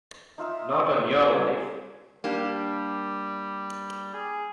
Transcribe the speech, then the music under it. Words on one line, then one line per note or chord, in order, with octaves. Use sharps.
Not on your life!
D#4 F4 E5 E6
B4 G#5
G3 A#3 D4 G4
G#4